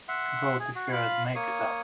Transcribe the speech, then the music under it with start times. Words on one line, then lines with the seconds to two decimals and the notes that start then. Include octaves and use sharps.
Go to her and make it up.
0.09 E5 F#5 C6
0.60 G#4
0.75 F#4
0.92 F4 F5 B5
1.35 A#3 C#5 D#6